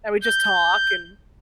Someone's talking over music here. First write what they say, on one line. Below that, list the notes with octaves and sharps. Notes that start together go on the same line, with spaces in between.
And we'd just talk and
G6